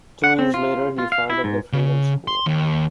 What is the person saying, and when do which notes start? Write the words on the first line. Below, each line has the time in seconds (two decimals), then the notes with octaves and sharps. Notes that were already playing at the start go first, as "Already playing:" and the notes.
Two years later he founded the Freedom School.
0.24 F#5
0.39 C4
0.54 F4
0.98 F4
1.12 F5
1.30 E4
1.44 G#2
1.73 C#3
2.28 C6
2.46 D#2